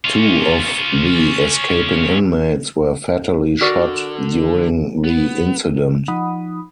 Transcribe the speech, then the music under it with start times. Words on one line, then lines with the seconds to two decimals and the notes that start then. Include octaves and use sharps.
Two of the escaping inmates were fatally shot during the incident.
0.05 C#4 F4
3.61 D3 F#4 A#4 D5
5.04 B3
6.08 F3 D#4 F#5 B5 D#6